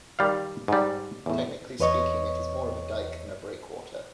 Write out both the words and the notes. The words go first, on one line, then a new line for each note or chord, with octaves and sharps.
Technically speaking, it is more of a dike than a breakwater.
D#3 G3 F5
G#2 G3
E2 A2
E2 B4 C#5 D#5 C#6